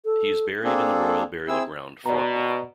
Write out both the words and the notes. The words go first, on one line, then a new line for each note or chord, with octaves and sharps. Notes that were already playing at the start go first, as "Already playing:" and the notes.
He is buried in the Royal Burial Ground, Frogmore.
A4
A#3 C4 D4 G#4 A4
C4 E4 G#4 E6
B2 D5 A#5